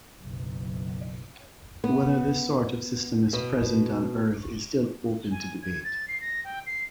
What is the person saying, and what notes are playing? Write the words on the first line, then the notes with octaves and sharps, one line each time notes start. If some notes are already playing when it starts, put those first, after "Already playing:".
Whether this sort of system is present on Earth is still open to debate.
F#1 B1
B3
B2
G#5
G#6
A6
C7
A#6
G5
C7